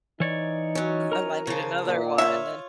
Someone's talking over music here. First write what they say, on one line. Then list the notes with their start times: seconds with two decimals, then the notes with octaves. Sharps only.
I might need another one then."
0.20 E3 D#4 C#5 D5
0.75 F#3 C#4
1.12 A#4 A#5
1.47 C#3 F3
1.87 A#2
2.18 F4 C#5 E5